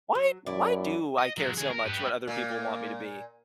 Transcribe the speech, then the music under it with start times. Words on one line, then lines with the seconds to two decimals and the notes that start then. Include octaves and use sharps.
"Why why do I care so much what other people want me to be?"
0.15 F#3
0.46 F#2 E4 D5
1.19 D#5
1.38 F#3 G#3
1.57 D2 G#4
1.70 A#4
1.85 G4 B4
2.28 A#2 A#3